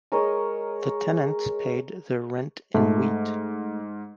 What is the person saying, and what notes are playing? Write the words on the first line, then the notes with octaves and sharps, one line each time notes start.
The tenants paid their rent in wheat.
G#3 A#4 C#5 D#5
G#2 A3